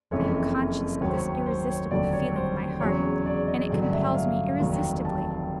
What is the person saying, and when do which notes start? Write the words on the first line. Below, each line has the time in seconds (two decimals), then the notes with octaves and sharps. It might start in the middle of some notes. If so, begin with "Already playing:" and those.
I am conscious of this irresistible feeling in my heart, and it compels me irresistibly.
0.11 F#1 F2 C3 E3 C#5
1.01 D#2 D#3 F#3 C#5
1.09 C5
1.17 C#5
1.46 C5
1.69 C#5
1.90 F1 D#2 D3 F#3 D5
2.13 C#5
2.36 C5
2.80 E2 C#3 F#3 C#5
3.26 D5
3.47 D#5
3.70 A1 G2 D3 F#3
3.92 E5
4.15 F5
4.60 F1 D#2 D#3 F#3
5.05 A5